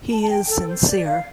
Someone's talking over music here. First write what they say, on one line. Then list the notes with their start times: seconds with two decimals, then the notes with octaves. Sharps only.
He is sincere.
0.11 A5
0.22 A5
0.30 G5
0.49 A4
0.68 C5
0.87 D5
1.05 F5